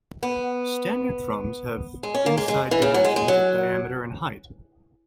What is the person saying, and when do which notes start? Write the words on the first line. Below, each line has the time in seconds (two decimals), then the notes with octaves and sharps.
Standard drums have inside dimensions of diameter and height.
0.23 B3
2.03 G#3
2.14 C#4
2.26 A#3
2.37 G#3
2.48 G#3
2.71 E3
2.82 C#3
2.94 F#3
3.04 G#3
3.16 G#3
3.28 F#3